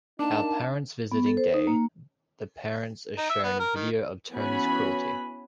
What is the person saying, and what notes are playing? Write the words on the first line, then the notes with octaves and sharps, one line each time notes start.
On parents' visiting day, the parents are shown a video of Tony's cruelty.
A#3 D4 D#4 A5
B3
A4
C5
D#4
A#3
D#4
E5
B3
A#4
D#3
E3 B3 C#4 F#4 G#5 B5